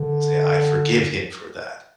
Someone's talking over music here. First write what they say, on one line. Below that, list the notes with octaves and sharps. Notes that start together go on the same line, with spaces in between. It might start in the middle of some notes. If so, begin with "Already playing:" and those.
say I forgive him for that,
Already playing: D3